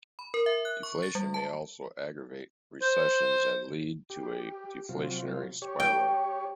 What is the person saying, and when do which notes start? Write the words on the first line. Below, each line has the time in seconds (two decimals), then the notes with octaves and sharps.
Deflation may also aggravate recessions and lead to a deflationary spiral.
0.19 B5
0.34 A#4
0.46 E5
0.65 F#6
0.83 C#6
1.03 A6
1.15 G3
1.34 A5
2.82 C5
4.10 G4
4.89 C3 F#3 F4
5.62 G4 C#5
5.80 G5